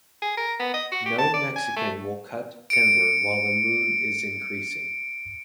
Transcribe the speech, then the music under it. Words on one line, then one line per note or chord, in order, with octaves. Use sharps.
No Mexican will cut timber while the moon is increasing.
G#4
A#4
B3
D#5
F#4
G4
A5
D5
G#5
A3
C#7 D7